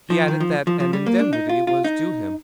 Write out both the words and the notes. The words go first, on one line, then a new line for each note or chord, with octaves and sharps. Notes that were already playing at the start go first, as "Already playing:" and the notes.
He added that an indemnity was due him.
F3
D#3
F3
F3
F3
G3
A#3
D4
D#4
F4
F4
D#4